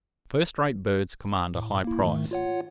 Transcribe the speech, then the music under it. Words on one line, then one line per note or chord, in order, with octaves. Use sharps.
First-rate birds command a high price.
A2
A#3 E4
G#2 D#3 A3
F4 C#5 F#5